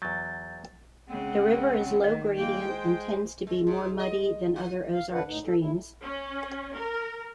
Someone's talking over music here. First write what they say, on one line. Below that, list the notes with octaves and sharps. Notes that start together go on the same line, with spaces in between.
The river is low-gradient and tends to be more muddy than other Ozark streams.
E2 F#3 G6 A6
C#3 G#3 C4 F#5
D#3 D#5
G#3 A#3 G5
C5
G#3
G#2
D#5
F4
F5
F#2 D3 D4 B4 F#5
D2 A2 D#4
A#2 A4
E4
C#4
A#4